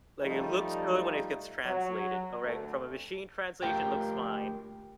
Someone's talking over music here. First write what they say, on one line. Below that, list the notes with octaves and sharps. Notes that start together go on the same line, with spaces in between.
like, it looks good when it gets translated, alright, from a machine translation looks fine.
F3 G3 A3 D#4
F#3
D2 A3
A3 F4 G4 A#4 F5 G5